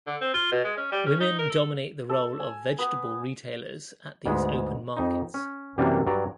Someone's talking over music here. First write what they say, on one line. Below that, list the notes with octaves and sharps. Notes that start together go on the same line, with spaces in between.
Women dominate the role of vegetable retailers at these open markets.
D3
C4
F4
B2
G#3
C#4
G3
C#4
D#4
A#4
A4
A4
G#5
B3
D2 G#2 G#3 B3
F2 D#4
C#4
F#2 C3 E3 G3 A#3 D4
G2 F#3 D5 A#5